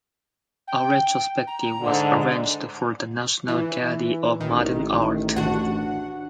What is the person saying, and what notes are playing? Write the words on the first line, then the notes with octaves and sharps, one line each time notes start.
A retrospective was arranged for the National Gallery of Modern Art.
G5
A#5
G#2 D3
E3
A1 D#3
D4 F#4 F#5